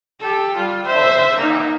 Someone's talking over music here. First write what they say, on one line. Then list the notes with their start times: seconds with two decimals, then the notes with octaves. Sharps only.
Oh, that's rough.
0.20 G4 A4
0.56 G3 F4
0.85 C5 E5
1.36 A#3 D#4